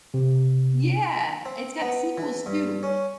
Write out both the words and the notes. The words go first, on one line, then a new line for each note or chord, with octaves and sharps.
Yeah, it's got sequels too.
C3
C4
B3
E3
G2
C#4